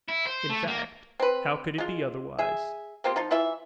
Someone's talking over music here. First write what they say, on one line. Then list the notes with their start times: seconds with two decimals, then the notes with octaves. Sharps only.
In fact, how could it be otherwise?
0.09 E4
0.27 C5
0.49 A3
0.67 A#3
1.20 C4 B4
1.78 G#3 F4
2.38 G#4 E5
3.04 A#3 C4 F4 G4
3.16 F3 D#4 F4
3.31 E3 E4 F4 E5